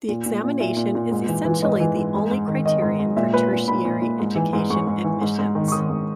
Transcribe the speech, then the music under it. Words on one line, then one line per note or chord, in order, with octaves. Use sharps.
The examination is essentially the only criterion for tertiary education admissions.
A#2
A#2
A#2
A#2 E5
A#2
A#2
G#2
E3
E3
G#2 D#5
E3
G#2
G#2
G#2
D#3
D#3 D#5
G#2
G#2
A#2 E5
A#2 B4
A#2
A#2 B5
A#2
A#2
G#2
E3
G#2
G#2 C#6
G#2
E3
G#2
G#2
D#3
C#6
D#3 D#6
G#2